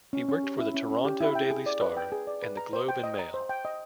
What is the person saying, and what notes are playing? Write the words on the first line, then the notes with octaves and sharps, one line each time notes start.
He worked for the "Toronto Daily Star" and "The Globe and Mail".
C#4
C#4
G4
E4
C#4
C#4
G4
E4
G5
G#4
D5
B4
G5
G#4
D5
B4
A#5
C5
G5
D#5
A#5
C5
G5
D#5